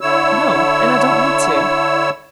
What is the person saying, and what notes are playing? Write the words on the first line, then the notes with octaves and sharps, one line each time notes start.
"No, and I don't want to."
D3 E4 C#5 E6